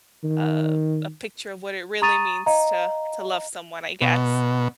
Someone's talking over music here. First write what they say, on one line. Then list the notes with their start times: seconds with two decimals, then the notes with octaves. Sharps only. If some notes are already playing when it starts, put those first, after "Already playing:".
Uh, a picture of what it really means to to love someone, I guess.
0.24 D#3
2.02 A#5 C#6 D#6 A6 D#7 F7
2.46 D#5 F5 A#5
4.01 B2